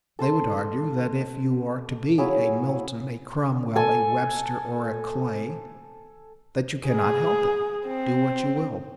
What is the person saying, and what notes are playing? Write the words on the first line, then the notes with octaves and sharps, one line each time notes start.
They would argue that if you are to be a Milton, a Cromwell, a Webster, or a Clay, that you cannot help it, do what you will.
A4 A5 C6
F#3 E4 G#4 F5
A4 G#5 D#6
G#4
C4